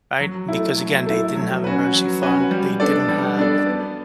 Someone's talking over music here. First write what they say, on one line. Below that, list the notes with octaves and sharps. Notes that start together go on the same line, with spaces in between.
Right? Because again, they didn't have an emergency fund, they didn't have
F#3
A3 E4
F#3
A3 E4
F#3
C#4 F#4 B4
F#3
C#4 F#4 B4
G3
B3 D4 A4 D5
G3
B3 D4 A4 D5
B3